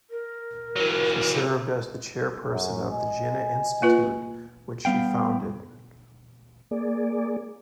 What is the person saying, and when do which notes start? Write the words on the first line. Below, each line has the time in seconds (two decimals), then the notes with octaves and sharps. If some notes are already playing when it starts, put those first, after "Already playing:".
She served as the chairperson of the Jinnah Institute which she founded.
0.10 A#4
0.76 E3 F#3
1.35 A4
2.49 F#2
2.92 D#5 G#5
3.82 A#3 F4 B4
4.85 G3 B3 F5 G5
6.71 A#3 G#4 D5